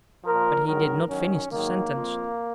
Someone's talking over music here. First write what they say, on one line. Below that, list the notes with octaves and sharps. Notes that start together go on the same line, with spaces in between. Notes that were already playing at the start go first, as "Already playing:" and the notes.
But he did not finish the sentence.
A#2 F3 A#4
G#2 D#3 F#3 A#4
F#2 D#3 F#3 C#4
G#2 D#3 F#3 A#3
F2 F3